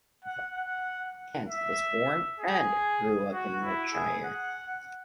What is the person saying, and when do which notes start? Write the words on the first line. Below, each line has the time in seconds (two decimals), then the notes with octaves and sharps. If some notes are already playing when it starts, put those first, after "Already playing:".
Kent was born and grew up in Yorkshire.
0.24 F#5
0.56 F#5
1.48 E5
2.40 G#4
3.33 F#4
3.63 E4
3.93 G#4
4.24 F#5